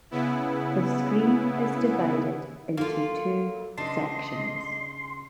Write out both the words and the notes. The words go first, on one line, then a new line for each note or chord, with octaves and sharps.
The screen is divided into two sections.
C#3 B3 E4
F#3 A#3 F4 A4
C#3 D4 D#4 B4 D#5 C6